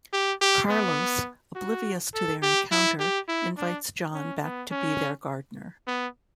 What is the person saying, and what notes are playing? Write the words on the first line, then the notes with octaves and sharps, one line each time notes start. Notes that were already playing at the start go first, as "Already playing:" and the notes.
Carlos, oblivious to their encounter, invites John back to be their gardener.
G4
G4
B3
F#4
A4
G4
E4
G4
E4
D4
C#4
B3
C#4
B3